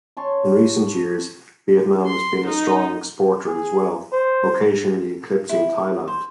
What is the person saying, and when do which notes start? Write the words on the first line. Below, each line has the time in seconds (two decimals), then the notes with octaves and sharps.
In recent years, Vietnam has been a strong exporter, as well, occasionally eclipsing Thailand.
0.17 C#5 A5 C6 C#6
2.06 C6
2.46 D#4
3.47 G#4
4.13 C5
5.49 E4
6.08 C5